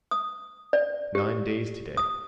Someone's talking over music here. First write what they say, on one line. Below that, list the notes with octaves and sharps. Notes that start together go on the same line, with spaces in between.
It's nine days today.
D#6
D5
G4
D#6